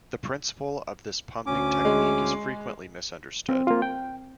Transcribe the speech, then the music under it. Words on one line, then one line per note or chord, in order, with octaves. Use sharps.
The principle of this pumping technique is frequently misunderstood.
D2 C#4 D6
G#3
C4
A#3 F4
G5